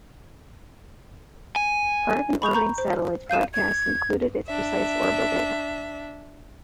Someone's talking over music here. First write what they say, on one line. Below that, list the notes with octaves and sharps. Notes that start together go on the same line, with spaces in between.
Part of an orbiting satellite's broadcast included its precise orbital data.
G#5
B5 C#6 G6 F7
A#5 C#6 G6
C5
F5 G6 D#7 E7
G#6
D4 E5